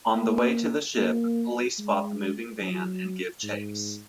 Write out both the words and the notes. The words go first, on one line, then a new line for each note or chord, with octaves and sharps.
On the way to the ship, police spot the moving van and give chase.
A#3
A#3
G#3
F#3
G#2